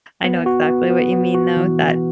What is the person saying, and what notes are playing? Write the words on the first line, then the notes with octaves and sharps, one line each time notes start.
I know exactly what you mean, though, that,
B3
F#4
B3
B3
B3
F#4
E3